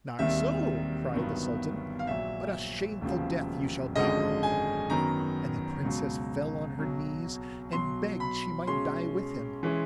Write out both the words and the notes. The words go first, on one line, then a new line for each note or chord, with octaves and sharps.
'Not so!' cried the sultan, 'but a shameful death you shall die!' And the princess fell on her knees, and begged she might die with him.
E1 D#2 D#3 G3 C4 E5
G1 G2 D#3 F#3 B3
F5
A#1 A#2 F#3 E5
E1 D#2 C#3 F3
G#1 F#2 D3 F3 G#3 D#5
G#5
F#2 D#3 F#3 B3 A#5
C#2 B2 F#3
B1 B2 F#3
B1 B2 F#3 C6
B5
B1 B2 G#3 C#4 C6
E3 G#3 C#4